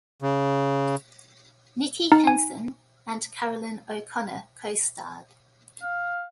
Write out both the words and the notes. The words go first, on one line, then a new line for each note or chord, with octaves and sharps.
Nicky Henson and Caroline O'Connor costarred.
C#3
D#4
G#5
F5